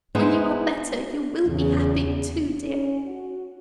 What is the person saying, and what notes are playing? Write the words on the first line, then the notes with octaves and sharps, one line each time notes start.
When you are better, you will be happy, too, dear.
G#3 B3 D#4 E4 C5
E2 C#3
C#4
F#4